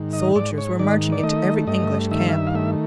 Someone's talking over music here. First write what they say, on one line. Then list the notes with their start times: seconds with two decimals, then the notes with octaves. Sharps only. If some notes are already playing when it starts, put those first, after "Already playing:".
Soldiers were marching into every English camp.
Already playing: G#2 D#3
0.13 D#5
0.36 G#2 D5
0.58 C#5
0.79 D#3 D5
1.12 D5
1.23 A3 D#5
1.67 G2 D#5
2.11 D#3 E5
2.29 F5
2.33 E5
2.47 F5
2.55 A3 E5